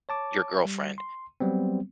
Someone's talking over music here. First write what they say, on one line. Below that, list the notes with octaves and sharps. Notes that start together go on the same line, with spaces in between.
your girlfriend,
C#5 A5 D6
G3
C6
F#3 G3 B3 C4